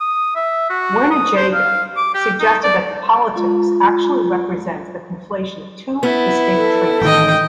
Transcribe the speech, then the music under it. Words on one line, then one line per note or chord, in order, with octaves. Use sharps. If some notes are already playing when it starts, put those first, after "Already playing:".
Werner Jaeger suggested that the "Politics" actually represents the conflation of two, distinct treatises.
D#6
E5
F#4
D#6
C5
F5
D6
G4
D#4
D5
G#3 F4
B3 E4
A4
A1 D#3 D#5 G5